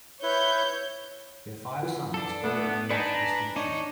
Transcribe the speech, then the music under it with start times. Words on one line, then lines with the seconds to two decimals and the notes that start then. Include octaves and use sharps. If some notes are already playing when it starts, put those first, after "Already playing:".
Their five sons all gained distinction.
0.23 E4 B4 C#5 G6
1.83 E3 F3
2.14 D4 A4
2.44 A3 B3
2.90 D4 D#4 B4 D5 G#5 A5 B6 C#7
3.13 A#5
3.56 D4 D#4 C#5